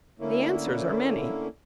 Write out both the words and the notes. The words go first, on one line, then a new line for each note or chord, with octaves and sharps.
The answers are many.
D3 A3 A#3 C#4 E4